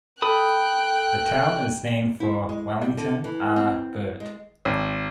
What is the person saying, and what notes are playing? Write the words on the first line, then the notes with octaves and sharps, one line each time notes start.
The town is named for Wellington R. Burt.
A4 G5 B5 D#6 F#6
E4
G#3
G3
D3
E3
C4
G#3
G#1